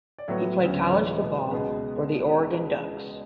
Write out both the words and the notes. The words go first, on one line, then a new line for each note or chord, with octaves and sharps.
He played college football for the Oregon Ducks.
D5
A2 F#3 B3 C#5
D2 C#3 F#3 B3 B4
C#5
D5
A2 E3 G#3 B3 C#5
B2 G#3 B3
C#2 B2 G#3 B3 B4